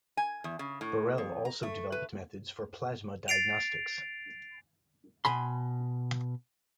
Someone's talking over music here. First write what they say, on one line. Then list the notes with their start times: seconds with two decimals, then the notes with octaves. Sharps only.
Burrell also developed methods for plasma diagnostics.
0.17 G#5
0.44 E2
0.59 C#3
0.81 A2
1.18 F2
1.45 A#5
1.63 A3
1.92 B4
3.28 A6 C7 D7 F7
5.25 B2 G#5 B5 C6